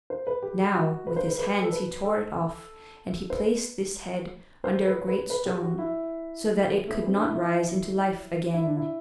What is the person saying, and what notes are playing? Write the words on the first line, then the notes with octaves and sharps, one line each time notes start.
Now, with his hands he tore it off, and he placed this head under a great stone so that it could not rise into life again.
C5
B4
G4
G4
F#4
B4
C5
B4
B4
A4
B4
A4
C5
B4
C5
B4
B4
B4
G4
F#4
E4
A3
B3
C4
D4
E4
E4
D4
E4